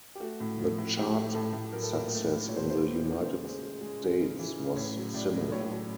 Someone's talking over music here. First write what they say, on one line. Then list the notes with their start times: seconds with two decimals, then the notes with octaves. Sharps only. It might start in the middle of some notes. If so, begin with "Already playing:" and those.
The chart success in the United States was similar.
0.15 G4
0.20 A3 F#4
0.40 A2
0.58 F3
0.78 A2
0.97 A2 G4
1.16 A3
1.35 A2 A4
1.53 A2
1.72 F#3 A#4
1.83 A4
1.92 A#2 A#4
2.11 A3
2.30 A3
2.48 A#2 C#5
2.56 C5
2.63 B4
2.67 A3 C5
2.86 A#2
3.05 A#2
3.24 C#3 C5
3.43 G#3
3.62 G#3
3.81 G#3
4.01 C#3
4.20 C#3
4.39 E3
4.58 C#3
4.76 A2 C#5
4.96 F#3
5.14 A2 D5
5.33 F#3
5.52 A2 C#5
5.71 F#3